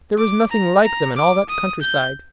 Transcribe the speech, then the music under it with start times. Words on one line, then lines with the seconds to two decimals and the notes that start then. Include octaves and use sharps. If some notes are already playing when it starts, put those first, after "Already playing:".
There was nothing like them in all that countryside.
0.18 D6
0.51 A#5
0.84 A#5
1.16 D6
1.49 D#6
1.81 G6